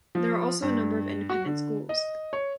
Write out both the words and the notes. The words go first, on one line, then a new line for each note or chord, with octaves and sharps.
There are also a number of independent schools.
F3
G2
F#4
D3
D#5
C#5